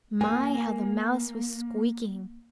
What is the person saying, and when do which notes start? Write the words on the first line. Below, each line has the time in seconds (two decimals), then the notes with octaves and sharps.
My! how the mouse was squeaking!
0.21 A#3 G#5